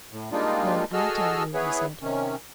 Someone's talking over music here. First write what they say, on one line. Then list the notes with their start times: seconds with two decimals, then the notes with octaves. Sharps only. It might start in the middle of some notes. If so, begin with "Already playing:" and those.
"Well, I'll tell you," he said.
0.12 A2
0.32 G3 G#3 A#3 D4 D#4 F4
0.93 F#4 G#4 A4 D#5 E6 F6
1.54 B3 E4 G#4 B4 C#5
2.02 C3 D#3 C#4